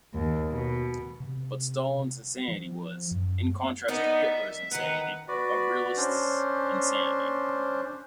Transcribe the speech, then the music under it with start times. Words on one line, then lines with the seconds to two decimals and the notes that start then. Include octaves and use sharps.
But Stalin's insanity was, in contrast to Hitler's insanity, a realist's insanity.
0.14 D#2
0.49 B2
1.20 C3
2.48 F3
3.11 F#2
3.88 B3 D#4 A#4 D5 D#5
4.23 E5
4.71 D#3 B4 F#5 A#5
5.28 F#4 B4 D5
5.97 C#4 D4 C5